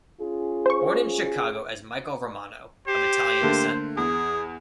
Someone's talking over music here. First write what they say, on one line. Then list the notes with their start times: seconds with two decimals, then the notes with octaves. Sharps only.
Born in Chicago as Michael Romano, of Italian descent.
0.21 C#4 F4 G#4
0.66 C5 C#6
2.88 G4 C5
3.41 D3 A3 A#3
3.97 E2 G#4